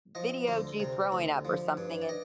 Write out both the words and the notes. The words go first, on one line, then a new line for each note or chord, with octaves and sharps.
videoed you throwing up or something, and
F3 D#5
D2 C5
C3
D2
F3
G2
D5
D#5